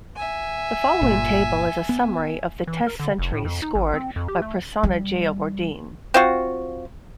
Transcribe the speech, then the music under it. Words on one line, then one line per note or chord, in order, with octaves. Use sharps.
The following table is a summary of the Test centuries scored by Prasanna Jayawardene.
E5 G#5
G1 A#2
B3
E3
A#4
D3
F1
A2
F2
D#4
G#1
C4
F2
G4
A3
G3
C4 F4 F#4